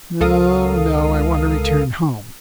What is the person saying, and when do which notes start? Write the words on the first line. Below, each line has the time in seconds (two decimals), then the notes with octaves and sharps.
"No, no. I want to return home."
0.21 C#2 A4 A#4 F5 D#6